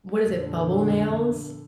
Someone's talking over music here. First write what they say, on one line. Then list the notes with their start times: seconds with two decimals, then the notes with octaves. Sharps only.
what is it? Bubble nails?
0.24 F2 A#2 D3